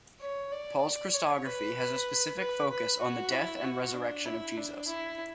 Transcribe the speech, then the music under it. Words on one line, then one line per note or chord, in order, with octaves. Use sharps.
Paul's Christology has a specific focus on the death and resurrection of Jesus.
C#5
D5
C#5
B4
B4
B4
B4
F#4
E4
F#4
D4
E4
D4
E4